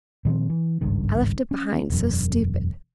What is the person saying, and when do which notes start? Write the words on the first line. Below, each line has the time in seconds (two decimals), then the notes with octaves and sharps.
I left it behind; so stupid!'
0.25 A#2 D#3 F3 C4
0.50 E3
0.81 G#1 C#2 G2 D#3
1.51 C#4
1.90 E1 F#2